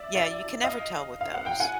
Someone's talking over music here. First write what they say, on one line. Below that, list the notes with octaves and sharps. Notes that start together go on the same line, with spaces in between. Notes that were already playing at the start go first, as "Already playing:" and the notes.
yeah, you can never tell with those,
Already playing: D5 E5
D5 E5
D#5 F5
F5
F#5
G5
F#5 G#5